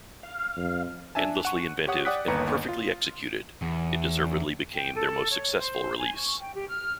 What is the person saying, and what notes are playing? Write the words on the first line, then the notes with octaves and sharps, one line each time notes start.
Endlessly inventive and perfectly executed, it deservedly became their most successful release.
F5
F2
D4 E5 G#5 A5
F#5 C#6
G4 C#5 F#5 D#6 F#6
D5 F#5 G5 D#6 F#6 B6
G1 D#2 B4 A#5 C#7
F4
E2
G5
A4
C#5
C5
G#5
C#6
G5
G4
F6